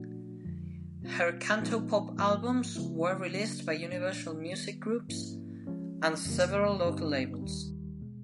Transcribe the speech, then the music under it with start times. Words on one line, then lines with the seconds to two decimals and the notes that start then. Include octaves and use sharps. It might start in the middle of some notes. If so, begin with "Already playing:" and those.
Her Cantopop albums were released by Universal Music Group and several local labels.
Already playing: A#2 F3 A3 D4 F#4
0.44 F2 D3 F3 G#3
1.02 B2 G3 C4 F4
1.60 A#2 F3 G#3 B3 D#4
2.18 G#2 F3 A#3
2.76 C#3 F3 G#3 B3 E4
3.34 C#3 F#3 A#3 D4
3.92 A#2 F3 A3 D4
4.51 D#3 G3 B3
5.08 G#2 F3 A#3 C#4 E4
5.67 F3 G#3 C#4
6.25 F2 C#3 E3 G3 A#3
6.83 G2 D3 G3 C4 D#4
7.42 D#2 D#3 G3
8.01 B2 G#3